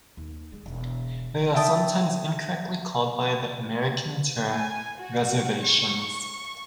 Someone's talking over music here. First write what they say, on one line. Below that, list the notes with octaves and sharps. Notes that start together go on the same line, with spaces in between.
They are sometimes incorrectly called by the American term "reservations".
D#2
G#3
E1
E5 G5 A5 D#6
G#5
F#4
C#6